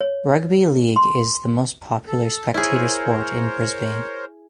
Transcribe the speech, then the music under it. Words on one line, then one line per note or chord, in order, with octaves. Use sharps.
Rugby league is the most popular spectator sport in Brisbane.
C#5
C6
A4
E4 G#4 A#4 C5 C#5